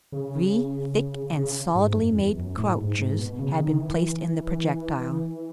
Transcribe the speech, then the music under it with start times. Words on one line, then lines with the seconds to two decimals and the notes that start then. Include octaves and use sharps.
Three thick and solidly-made couches had been placed in the projectile.
0.12 C#3
1.35 C#3
1.75 G#2
1.96 F#2
2.16 E2
2.36 F#2
2.57 A2
2.78 G#2
2.98 G#2
3.19 B2
3.39 C#3
3.60 D#3
3.80 E3